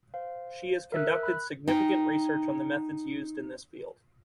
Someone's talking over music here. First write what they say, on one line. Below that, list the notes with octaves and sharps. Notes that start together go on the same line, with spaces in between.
She has conducted significant research on the methods used in this field.
C5 F5
A#4 E5 E6 F#6
B5 F#6
D#4 G5